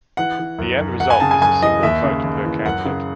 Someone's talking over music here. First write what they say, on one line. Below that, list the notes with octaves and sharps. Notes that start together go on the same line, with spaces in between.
The end result is a single vote per candidate.
E3 F#5
E3
F#2
F#2
F#2 F#5
G#5
C#3 A5
G#5
F#2 G#5
E3 D#5
D#2 E5
C#3
D#2
E3
F#2 F#5
C#3